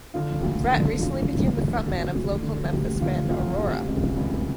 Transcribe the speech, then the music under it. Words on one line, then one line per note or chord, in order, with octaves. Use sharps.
Brett recently became the frontman of local Memphis band Aurora.
D3 F4
D2
D3
D2 F4
D3
D2
D3 F#4
D2
D3
D2 G4
D3 F4
D2 F4
C3
C#2
C#2